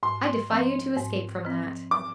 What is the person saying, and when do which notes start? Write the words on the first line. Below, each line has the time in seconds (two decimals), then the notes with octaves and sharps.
I defy you to escape from that.
0.03 G#2 C6
0.50 F3 C4
0.97 G#2
1.45 F3 C4
1.91 D6